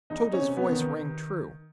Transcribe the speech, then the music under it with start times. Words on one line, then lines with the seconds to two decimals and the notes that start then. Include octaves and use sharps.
Tode's voice rang true.
0.10 E2 D#4
0.33 C#4
0.42 C3
0.57 B3
0.72 D#3